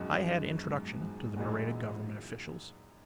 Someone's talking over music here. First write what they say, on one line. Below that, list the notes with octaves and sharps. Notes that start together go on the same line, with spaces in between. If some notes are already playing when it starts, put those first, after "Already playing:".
I had introduction to the Nareda government officials.
Already playing: C#2 F#2 B2 G#3 D#4
G#2
G#2
F#2 A#2 E3 G#3 D#4 F#4